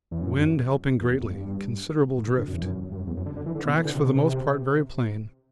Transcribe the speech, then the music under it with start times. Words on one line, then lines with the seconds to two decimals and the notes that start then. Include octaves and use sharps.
Wind helping greatly, considerable drift; tracks for the most part very plain.
0.11 E2
0.21 F#2
1.00 E2
1.10 E2
1.20 E2
1.30 G2
2.18 A2
2.28 B2
2.38 D3
2.48 F#2
2.54 E2
2.62 F#2
2.92 G2
2.96 F#2
3.07 E2
3.17 F#2
3.26 D3
3.36 D3
3.46 E3
3.55 D3
3.65 B2
3.76 E3
3.85 D3
3.95 C3
4.05 B2
4.15 C3